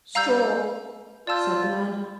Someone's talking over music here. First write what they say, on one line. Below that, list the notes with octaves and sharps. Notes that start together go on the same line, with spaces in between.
"Straw," said the man.
G3 F5 A#5 E6 G6
F4 D5 A5 E6 G6